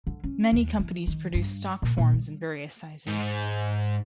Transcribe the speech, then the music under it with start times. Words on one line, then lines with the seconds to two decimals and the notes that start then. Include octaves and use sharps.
Many companies produce stock forms in various sizes.
0.07 D3
0.24 C#4
0.53 D#2
0.79 E3
1.07 D#3
1.35 G2
1.82 A#2
1.98 A#2
2.13 G3
3.08 G#2